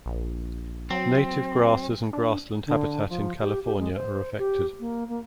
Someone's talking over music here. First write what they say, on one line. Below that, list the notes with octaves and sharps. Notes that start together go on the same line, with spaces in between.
Native grasses and grassland habitat in California are affected.
A#1
F#3 C4
D4
D3
F3
G4
G4
G#3
C5
G4
A#3
A#3